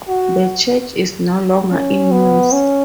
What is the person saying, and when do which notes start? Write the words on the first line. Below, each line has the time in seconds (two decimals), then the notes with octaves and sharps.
The church is no longer in use.
0.08 F#4
1.71 C#4
2.12 B3
2.53 C#4